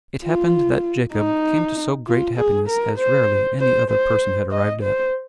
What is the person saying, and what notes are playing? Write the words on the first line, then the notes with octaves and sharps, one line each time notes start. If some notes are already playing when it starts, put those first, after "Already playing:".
It happened that Jacob came to so great happiness as rarely any other person had arrived at.
F4
D#4
F4
G#4
A#4
C5
C5
C5
D#5
C5